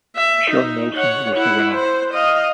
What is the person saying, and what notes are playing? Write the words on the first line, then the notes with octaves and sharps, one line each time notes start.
Shawn Nelson was the winner.
E5
D#4
C#5 F#5
E4 F#5
C5
D#5 F5